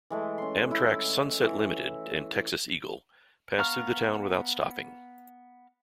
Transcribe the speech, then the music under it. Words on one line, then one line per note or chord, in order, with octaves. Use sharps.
Amtrak's "Sunset Limited" and "Texas Eagle" pass through the town without stopping.
E3 G#3 A3
C#4 C6
E4
C#5
E3 F#4
B3 F5 A#5 C#6 F6